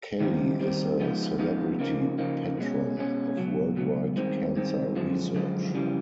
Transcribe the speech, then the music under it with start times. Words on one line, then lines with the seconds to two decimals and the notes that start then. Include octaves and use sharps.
Kelly is a celebrity patron of Worldwide Cancer Research.
0.21 D#3 G3 C4 D#4
0.59 D#3 G3 C4 D#4
1.00 F3 G#3 B3 D#4
1.39 F3 G#3 B3 D#4
1.79 C#3 F3 A#3 D#4
2.18 C#3 F3 A#3 D#4
2.58 B2 G#3 C#4
2.97 B2 G#3 C#4
3.37 C#2 B2 F#3
3.76 C#2 B2 F#3
4.16 G2 D#3 G#3 C4
4.56 G2 D#3 G#3 C4
4.96 F#2 D3 F3 G#3
5.35 F#2 D3 F3 G#3
5.74 F2 C#3 E3 G3